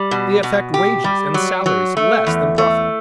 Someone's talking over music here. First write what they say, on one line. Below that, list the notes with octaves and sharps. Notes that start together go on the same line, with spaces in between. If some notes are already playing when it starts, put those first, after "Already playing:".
They affect wages and salaries less than profits.
Already playing: G3
B2
B2
G4
G3
F#3
F#3
A3
E2
A3